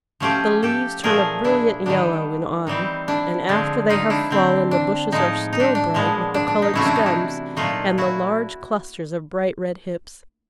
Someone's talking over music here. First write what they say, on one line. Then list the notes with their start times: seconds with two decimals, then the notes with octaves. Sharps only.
The leaves turn a brilliant yellow in autumn, and after they have fallen the bushes are still bright with the coloured stems and the large clusters of bright-red hips.
0.20 F3 A3 C#4 F4 G4
0.63 G4 A4
1.03 A#2 F3 A3 G#4 A#4
1.44 D4 E4
1.86 D#3 G3 B3 D4
2.67 E3 G3 C4 D#4
3.08 D4 E4
3.48 D3 F3 G#3 C4
3.89 D#4 F4
4.10 D4 E4
4.31 D3 G3 C4
4.71 D4
5.12 A2 F3 G#3 D#4
5.53 D#4
5.60 D4
5.75 D4
5.94 A#2 F3 G#3 B3
6.34 D4
6.48 D4
6.62 D#4
6.73 C3 E3 A3 C#4 E4 F#4
6.85 D4 E4
6.96 D#4
7.06 D4 E4
7.57 A#2 F#3 A3 D#4 F4
7.98 E4 F#4